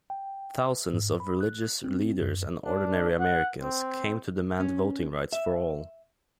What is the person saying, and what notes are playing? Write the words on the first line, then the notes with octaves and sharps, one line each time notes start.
Thousands of religious leaders and ordinary Americans came to demand voting rights for all.
G5
G#2
B5
F#6
C4
F#2
D4
F#5
C4
C#4
E5